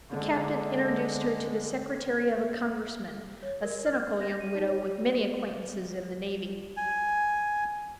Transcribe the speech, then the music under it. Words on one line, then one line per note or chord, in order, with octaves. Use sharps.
The captain introduced her to the secretary of a congressman, a cynical young widow with many acquaintances in the navy.
D3 G#3
C#5
A#4
F6
A#6
D#7
D#4
C#5
G#5